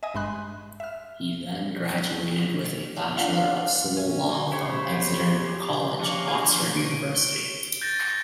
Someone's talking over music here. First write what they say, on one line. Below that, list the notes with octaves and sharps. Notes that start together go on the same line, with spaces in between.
He then graduated with a Bachelor of Civil Law from Exeter College, Oxford University.
D#5 E5 G#5 D#6
G#1 G2 G#3 B5 C6 F#6
E5 F6
D4 F4 F5 F#5
C#4
D2
C#3 E4 G4 C5 C#5
F3 A#3 C#4 D4 C#5
F3 D4 G#4 C5
C#6 D7
G7
G6 A6 A#6